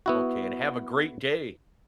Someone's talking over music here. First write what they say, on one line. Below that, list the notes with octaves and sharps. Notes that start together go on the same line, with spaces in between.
Okay, and have a great day.
B3 E4 F#4